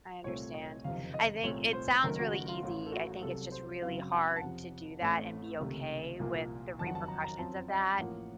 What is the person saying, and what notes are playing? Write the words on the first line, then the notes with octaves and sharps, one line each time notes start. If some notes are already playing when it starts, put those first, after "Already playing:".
I understand, I think it sounds really easy, I think it's just really hard to do that and be okay with the repercussions of that,
C2 A#2 A3 C4 C#5
D#5
F#1 F2 C3 D#3 F5
D#5
C2 A#2 F3 A3 C4 C#5
C5
F#1 F#2 D#3 A3 A#4
F#4
F#4
F4
A1 A2 A3 F4
A4
F#4
C2 C3 F#3 A4
C5
F#1 F#2 C#3 F#3 C4 F5
F#5
A5
F2 C3 F3 F#5
A1 A2 A3 C4
C#2 C3 D#3 A3
C2 A#2 F3 A#3
F#1 F2 D#3 F#3 A5
F#5
A5
A#5
A#5
F#2 F3 C4 A5
D#5
A1 A2 F3 A#3 F#5